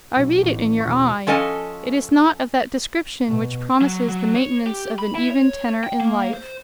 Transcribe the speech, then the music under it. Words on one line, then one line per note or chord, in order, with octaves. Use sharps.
"I read it in your eye; it is not of that description which promises the maintenance of an even tenor in life."
B1
A1
E1 C#6
F3 C#4 A4 D#5 G#5
B2
F#3
F#3
C#5
G4
B5
E4
C#5
G5
A#3
C5